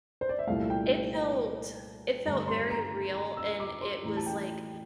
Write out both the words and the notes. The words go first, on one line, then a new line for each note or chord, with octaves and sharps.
It felt it felt very real, and it was, like
C5
D5
E5
C2 A#2 A3 F5
G5
G2 D3 A3 A#5
C6
A#5
A#5
E6
D6
C6
A2 E3 A3 A#5
A5
G5